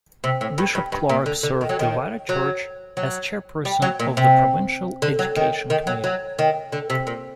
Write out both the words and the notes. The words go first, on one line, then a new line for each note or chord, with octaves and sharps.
Bishop Clarke served the wider church as chairperson of the Provincial Education Committee.
C3
A2
G2
G2
G2
A#2
D3
D3
D#3
F#3
D#3
F#3
F#3
G3
F#3
A#2
C3
D3
F#3
D#3
D#3
F#3
F#3
D#3
D3
C3
A#2